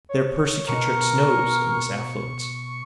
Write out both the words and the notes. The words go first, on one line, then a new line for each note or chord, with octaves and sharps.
Their persecutrix knows of this affluence.
C#5
B2 A#4 C#6